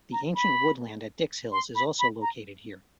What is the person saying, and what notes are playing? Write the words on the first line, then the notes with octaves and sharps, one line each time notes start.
The ancient woodland at Dickshills is also located here.
A#5
B5
C6
B5
B5
A#5